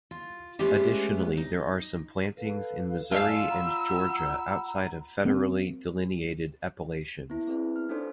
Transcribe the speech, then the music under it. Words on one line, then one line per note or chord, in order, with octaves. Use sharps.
Additionally there are some plantings in Missouri and Georgia outside of federally delineated appellations.
F4
G#3 A3 B3 C#4 G4 G#4
D#4
A4 B4 F5
F4 E5 F5 G#5 A5 E6
F#5 A#5 B5
A#3 C4
B3 E4
C4 E4 G#4 B4 D5
F6
D4 D#4 F4 A4 C5 D5